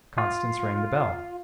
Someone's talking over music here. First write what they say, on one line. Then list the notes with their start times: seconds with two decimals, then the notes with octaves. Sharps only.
Constance rang the bell.
0.18 F4